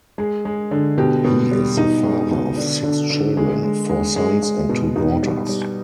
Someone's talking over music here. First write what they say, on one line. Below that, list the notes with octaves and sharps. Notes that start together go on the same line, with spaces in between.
He is the father of six children; four sons and two daughters.
G#3 G#4
G#3
D3
B2 G4
B2
G3
B2 D#4
G#3
B2
D3 D4
D3
D3
G#3
G#3
G#3
G#3
G#3
B2
B2 D#4
G3
G3